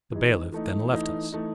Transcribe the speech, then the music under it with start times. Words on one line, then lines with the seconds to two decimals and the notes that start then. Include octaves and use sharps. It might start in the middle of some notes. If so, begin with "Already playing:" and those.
The bailiff then left us.
0.12 E3 G#3 D#4 G#4
0.52 E3 A3 D#4
0.92 E3 A3 D#4
1.32 E3 A3 D#4